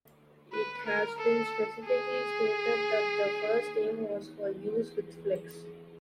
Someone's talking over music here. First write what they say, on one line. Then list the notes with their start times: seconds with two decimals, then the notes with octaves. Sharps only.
It has been specifically stated that the first aim was for use with Flex.
0.53 B4
0.85 A#4
1.18 A4
1.85 G#4